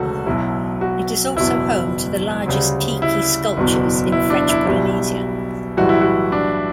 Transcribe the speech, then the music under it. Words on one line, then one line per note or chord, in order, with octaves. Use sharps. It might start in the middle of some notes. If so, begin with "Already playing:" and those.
It is also home to the largest tiki sculptures in French Polynesia.
Already playing: E1 D2 C#3 F#4 A4
B1 B2 F#3 E4
F#4
F#1 E2 B2 E4
D2 C#3 G3
E4
F#1 E2 B2
E4
D4
E4
B1 B2 G3 E4
B1 A2 E3 G3 F#4
E4
F#4
D4